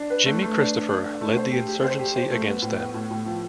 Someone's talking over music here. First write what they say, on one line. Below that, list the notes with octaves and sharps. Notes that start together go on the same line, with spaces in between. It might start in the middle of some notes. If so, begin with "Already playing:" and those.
Jimmy Christopher led the insurgency against them.
Already playing: D4
B4
A3
A3
D4
D4
D4
D4
A3
C5
G4
G4
C5
G4
C5
A3
B3
A2
B3
A2
A2
F3